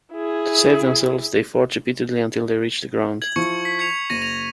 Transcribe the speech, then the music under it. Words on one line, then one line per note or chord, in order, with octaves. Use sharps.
To save themselves, they fart repeatedly until they reach the ground.
E4 G#4
G#6 F#7
F3 E4 C#6 C#7
B6
G#6 C#7 F7
F#1 A#6 D#7
A#6 F7